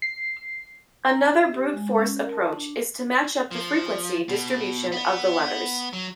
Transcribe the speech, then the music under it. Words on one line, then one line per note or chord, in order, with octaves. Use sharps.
Another brute force approach is to match up the frequency distribution of the letters.
C7
A#5
E5
G4
G#3
C#4
A#4
A5
D4
F3
B2
B3
F#3